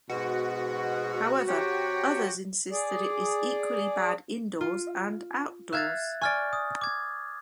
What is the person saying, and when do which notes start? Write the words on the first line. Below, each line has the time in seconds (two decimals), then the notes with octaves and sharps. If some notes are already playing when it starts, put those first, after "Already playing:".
However, others insist that it is equally bad indoors and outdoors.
0.09 G#2 B2 F#4
1.48 C3 G4 C#5
2.71 G#4 D5
4.61 F4
5.73 E5 F5 E6 F#6 G#6 A6
6.22 D5 G#5 C#6 F6 A6
6.53 D#6
6.81 D6 G#6